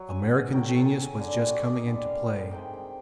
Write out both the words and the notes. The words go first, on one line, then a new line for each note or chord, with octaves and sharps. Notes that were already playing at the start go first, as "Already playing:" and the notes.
American genius was just coming into play.
Already playing: F#3
G#5
F#5
A2 F#3 A3 G5
A5
G#5
G#5
D3 G3 G#5
F#5
C#5
D5
D#5
D3 G3
F5
F#5
C3 D#3 G#3 G5
G5